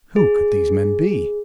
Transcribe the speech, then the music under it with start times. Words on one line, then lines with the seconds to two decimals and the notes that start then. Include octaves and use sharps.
Who could these men be?
0.16 G#4